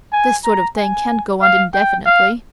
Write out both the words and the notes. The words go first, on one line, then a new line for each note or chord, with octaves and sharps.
This sort of thing can't go on indefinitely.
G#5
A#5
G#5
F5
G5
F5